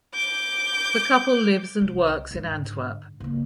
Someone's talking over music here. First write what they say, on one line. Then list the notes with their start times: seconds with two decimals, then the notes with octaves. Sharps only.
The couple lives and works in Antwerp.
0.14 D6 G6
1.81 C2
2.31 G#2 D3
3.20 C#3 A#3